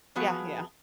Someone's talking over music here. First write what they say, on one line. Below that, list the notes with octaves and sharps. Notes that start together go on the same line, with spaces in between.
Yeah, yeah.
F2 F3 B3 F#4 G#4